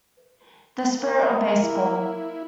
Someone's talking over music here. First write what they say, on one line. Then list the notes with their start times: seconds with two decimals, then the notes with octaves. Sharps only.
The Spirit of Baseball.
1.00 A#3
1.63 E4